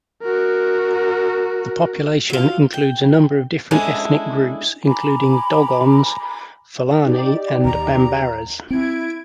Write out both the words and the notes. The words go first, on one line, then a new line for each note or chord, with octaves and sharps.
The population includes a number of different ethnic groups including Dogons, Fulani and Bambaras.
F#4 A#4
F#3 F4
G5
G#3 C#4 D4 E4 G#4 A4
G#5 A#5 B5 D6
D#4 G4 D5
D#2 A#5
C4 E4 G#6 D7